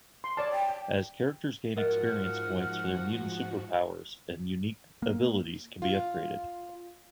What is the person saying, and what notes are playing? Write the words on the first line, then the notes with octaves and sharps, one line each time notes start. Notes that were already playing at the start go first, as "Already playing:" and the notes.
As characters gain experience points their mutant superpowers and unique abilities can be upgraded.
C6
C#5 D5 A5
G5
G#2 F3 F#4 A#4 D#5 F#5 F6
A#3
F4